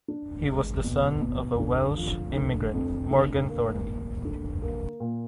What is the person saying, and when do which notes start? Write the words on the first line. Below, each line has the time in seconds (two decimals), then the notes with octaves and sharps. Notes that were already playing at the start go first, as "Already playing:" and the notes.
He was the son of a Welsh immigrant Morgan Thornley.
0.08 D4
0.47 G#3
0.85 B2
1.22 B2
1.60 D3
1.97 F3
2.36 D3
2.74 F2
3.11 D3
3.49 A#3
3.87 A#3
4.25 D3
4.62 A#3
5.00 A#2